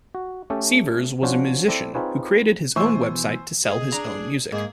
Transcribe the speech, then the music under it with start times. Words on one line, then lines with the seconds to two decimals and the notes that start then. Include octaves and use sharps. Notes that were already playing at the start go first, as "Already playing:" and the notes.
Sivers was a musician who created the website to sell his own music.
0.15 F#4
0.50 A3 C#4 G4 A4
1.23 F3 C#4 D4 F#4 C5 C#5
1.68 C4 E4 A4 D5
1.95 C4 D#4 F4 G#4 B4 C#5
2.76 B2 E3 A3 C5 G#5 C#6 E6
3.65 G#4 D#5
3.92 D4 A#5
4.52 G#2 A#3 G#4